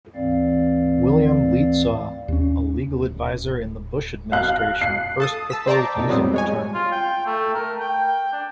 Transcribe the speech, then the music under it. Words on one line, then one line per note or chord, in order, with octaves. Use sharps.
William Lietzau, a legal advisor in the Bush administration first proposed using the term.
D2 G#2 E3 C4 D5 F5
D#2 C#4
D1
F5 F#6
C7
A4 A5 D#6
A5 E6 B6
C5 D5 G5 A5 A#5 D6
F2 A#2 D#3
F#3 G3 B3 C4
G#3 C#5 G#5
F4
G5
A3
A#4
G5
D4